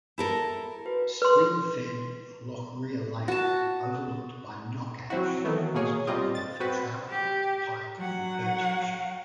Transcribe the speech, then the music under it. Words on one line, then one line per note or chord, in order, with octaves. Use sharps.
Spring-fed, Loughrea Lake overlooked by Knockash is popular for trout, pike and perch fishing.
E4 A4 A#4
F#4 B4
B4 C6
F#4 A5
F3 F#3 C4 E4 F#4
D#3 E3 F#3 A3 B3
B2 A#3 G#4 C#5
G3 C4 F4 G4 D#5
A6
C4 F#4 B4
G4
F#3 F#5